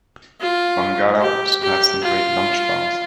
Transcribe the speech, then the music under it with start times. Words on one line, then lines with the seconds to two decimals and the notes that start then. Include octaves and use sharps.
Wangara also has some great lunch bars.
0.41 F4
1.22 G4
1.62 G4
2.03 F4